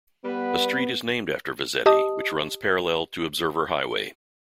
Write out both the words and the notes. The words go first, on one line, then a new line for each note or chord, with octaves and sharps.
A street is named after Vezzetti, which runs parallel to Observer Highway.
G3 B3 B4
G4 D#5 A5 D#6